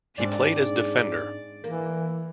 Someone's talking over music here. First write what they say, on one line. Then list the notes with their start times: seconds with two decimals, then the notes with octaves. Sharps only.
He played as defender.
0.18 G#2 C4 D4 D5
1.64 E3 A#3